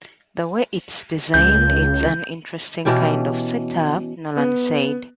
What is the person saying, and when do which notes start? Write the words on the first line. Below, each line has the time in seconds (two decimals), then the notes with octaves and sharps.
The way it's designed, it's an interesting kind of setup, Nolan said.
1.34 C#2 G6
2.85 B2 E3 C#4 G4
4.37 B3